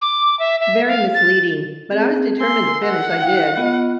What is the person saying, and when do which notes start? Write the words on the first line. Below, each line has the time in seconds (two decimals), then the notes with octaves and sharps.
Very misleading, but I was determined to finish. I did.
0.02 D6
0.39 E5
0.60 E5
0.87 F5
1.14 A6
1.91 C4 G#4
2.40 A#4 G#5 C6 E6
2.85 F#5
3.20 E4 F5 G5
3.57 B3 F4 D#5